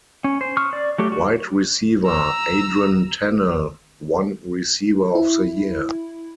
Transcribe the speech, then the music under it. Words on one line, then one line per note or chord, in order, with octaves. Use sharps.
Wide Receiver Adron Tennell won Receiver of the Year.
C#4
C5
C#6 D#6 F6
D5
F#3 A3 G4
F#4
A#5 E6
E4